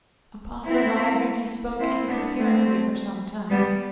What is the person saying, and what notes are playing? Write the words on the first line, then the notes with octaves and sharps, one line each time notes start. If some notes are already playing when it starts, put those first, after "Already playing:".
Upon reviving he spoke incoherently for some time.
C4 E4
C4 E4
B3 D4
A3 C4
G3 B3